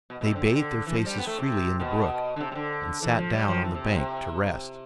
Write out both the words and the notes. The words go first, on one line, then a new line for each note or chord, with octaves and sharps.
They bathed their faces freely in the brook, and sat down on the bank to rest.
B2
B2
C3
D3
C3
D3
E3
F3
G3
B3
A3
C3
B2
D3
C3
C3
D3
E3
F3
G3
F3
E3
C3
B2
C3